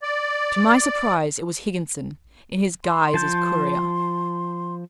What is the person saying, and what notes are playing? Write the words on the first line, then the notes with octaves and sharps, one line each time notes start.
To my surprise, it was Higginson--in his guise as courier.
D5
C6
F3 A5 G6